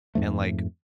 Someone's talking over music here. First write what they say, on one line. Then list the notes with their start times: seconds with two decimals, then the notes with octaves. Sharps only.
and, like,
0.15 F2 G#2 F3 A3